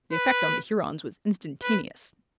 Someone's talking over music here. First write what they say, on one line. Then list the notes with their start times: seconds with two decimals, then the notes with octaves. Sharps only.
The effect on the Hurons was instantaneous.
0.13 B4
1.63 B4